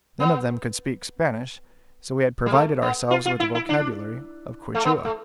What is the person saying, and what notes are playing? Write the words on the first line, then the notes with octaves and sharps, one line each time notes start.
None of them could speak Spanish, so we had provided ourselves with a vocabulary of Quichua.
B3
G3
A3
B3
F4
F4
E4
E4
D4
A3
B3
A3